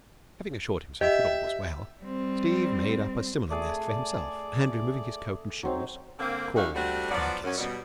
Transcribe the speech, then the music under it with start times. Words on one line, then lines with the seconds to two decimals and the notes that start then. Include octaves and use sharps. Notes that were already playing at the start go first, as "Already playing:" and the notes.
Having assured himself that all was well, Steve made up a similar nest for himself, and, removing his coat and shoes, crawled under the blankets.
1.01 G4 D#5 E5
2.02 G3 C4
3.50 A3 G#4 D5
3.89 D5
5.63 F#3 C4 D#4
6.19 D3 A#3 C4
6.56 F#2 A2 G3 F#4 D#5 F5
6.75 G3 A3 C4 D4 F#4
7.11 F3 F#3 B3 F4 D5
7.44 F#2 C#4
7.58 B2 G3